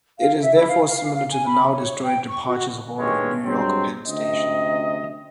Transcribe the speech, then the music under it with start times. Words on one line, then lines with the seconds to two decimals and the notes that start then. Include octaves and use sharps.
It is therefore similar to the now-destroyed departures hall of New York Penn Station.
0.17 F5
0.40 E5
0.55 E4
0.68 F5
0.86 F5
1.14 F5
1.31 G#5
1.46 B5
1.73 C#5
2.04 G5
2.28 C#6
2.47 F#4
2.98 A1 G2 D#3 G#3 C#4 C#5
3.45 G2 F#3 G#3 C4
4.06 D2 C3 C#4 D#5